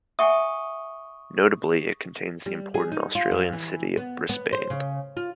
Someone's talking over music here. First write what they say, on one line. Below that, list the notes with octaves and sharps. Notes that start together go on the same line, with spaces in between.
Notably, it contains the important Australian city of Brisbane.
E5 F#5 G#5 C#6 D#6
G3
G#4
D#4
F4
F2
E3
B3
B3
C5
C#3
F4